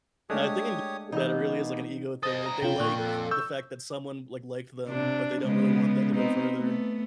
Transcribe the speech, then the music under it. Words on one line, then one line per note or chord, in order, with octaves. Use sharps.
Now, I think that it really is like an ego thing, like, they like the fact that someone, like, liked them, but they don't really want that to go further.
G#3 A3 D4 G4 C#5 D#6
B2 E3 A#3 B3 D#4 G4
A4 C5 D#5 D#6
D3 A#5
F2 C3 F4 C#5 G5
A#2 C#6 F#6
A4
C#6 E6 G6
C3 D4
C#3 G#3 B3
B3 C4 D#4
A3 B3